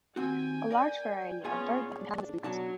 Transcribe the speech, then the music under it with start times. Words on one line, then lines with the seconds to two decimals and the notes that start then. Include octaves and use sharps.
A large variety of birdlife inhabits the reedbeds.
0.16 D#2 C4 F#4 G5 G#5
0.71 A#4 D5
1.44 A#2 B3 C#4 F4 G#4 G#5
1.95 D4
2.44 B2 F#3 D4 A5